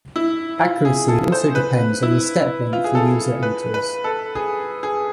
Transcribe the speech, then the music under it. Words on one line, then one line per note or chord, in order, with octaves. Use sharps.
Accuracy also depends on the step-length the user enters.
E4
F4
G#4
A4
C5
B4
E4
F4
G#4
A4
B4
B4
A4
G#4
G#4